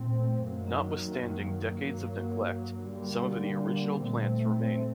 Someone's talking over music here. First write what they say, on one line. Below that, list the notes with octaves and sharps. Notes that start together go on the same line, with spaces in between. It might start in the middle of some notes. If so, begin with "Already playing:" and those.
Notwithstanding decades of neglect, some of the original plants remain.
Already playing: A#2 A3 C4
F#2 D#3 F#3 A#3
G2 F#3 A#3
D3 G3 A#3
A#2 A3 C4